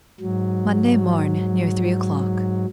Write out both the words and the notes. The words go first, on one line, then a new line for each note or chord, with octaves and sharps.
'Monday morn, near three o'clock.'
G#2 F#3